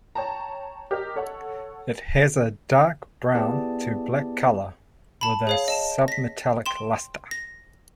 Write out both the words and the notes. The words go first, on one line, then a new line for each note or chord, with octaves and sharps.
It has a dark brown to black color with a submetallic luster.
C#5 G5 A5 A#5
G4 A#4 D#5
A4 C#5 F#5
B3 E4 G4 G#4 D5 A5
A5 B5
G#4 C#5 F5
D#5 A5 E7
A#6 B6
G5 C6 E7
A#6